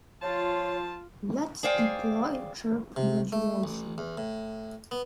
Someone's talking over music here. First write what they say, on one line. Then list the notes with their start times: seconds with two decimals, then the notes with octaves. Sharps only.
Let's deploy chirp modulation.
0.22 F3 F4 C#5 A5
1.63 G#4 C5 D5 F5 G5
2.96 C3
3.32 A3
3.64 A1
3.98 E2
4.18 A2
4.91 B3